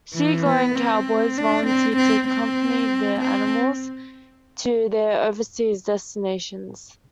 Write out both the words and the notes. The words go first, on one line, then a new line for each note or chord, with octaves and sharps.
Seagoing cowboys volunteered to accompany the animals to their overseas destinations.
E3
B3
C4
D4
C4
C4
C4
C4